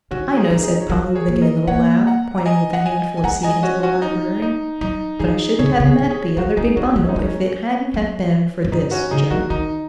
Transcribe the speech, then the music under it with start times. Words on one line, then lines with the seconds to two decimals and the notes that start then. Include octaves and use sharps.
"I know," said Polly with a gay little laugh, pointing with the handful of seed into the library, "but I shouldn't have met the other big bundle if it hadn't have been for this, Joe!"
0.11 D#3 C#4 F#4
0.37 D#4 G#4
0.50 D#3
0.55 A#4
0.63 D#4 G#4
0.80 C#5
0.89 F#3 F#4 A#4
1.15 G#4 C#5
1.28 A#3
1.42 A#4 D#5
1.67 A#3 C#5 F#5
2.07 F#5 A#5
2.38 A#5
2.46 D#5 G#5
2.73 F#5
2.86 D#5 G#5
3.17 G#5
3.24 G#3 F#5 A#5
3.43 D#5 G#5
3.63 C#4 F#4
3.83 C#4 F#4
4.02 D#4
4.42 D#4
4.81 F#3 D#4
5.19 D#3 D#4 G#4
5.59 C#3 G#4 C#5
5.70 D#3
5.80 C#3
5.85 G#4 C#5
5.99 D#3
6.11 G#4 C#5
6.37 G#3 F#4 A#4
6.57 A#3 D#4 G#4
6.76 G#3 C#4 F#4
6.96 G#3 C#4
7.09 D#4
7.16 G#3
7.23 C#4
7.94 F#3
8.65 F#2
8.72 G#2 D#4
8.91 C#4 F#4
9.11 C#3 D#4 G#4
9.31 F#3 F#4 A#4
9.50 D#3 D#4